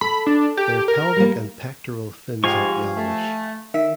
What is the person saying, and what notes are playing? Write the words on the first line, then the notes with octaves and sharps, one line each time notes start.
Their pelvic and pectoral fins are yellowish.
A4 B5
D4
G4
A#4
G3 A#3
G#2 F3 G4 F5 G#5 C#6
A3
D#3 E5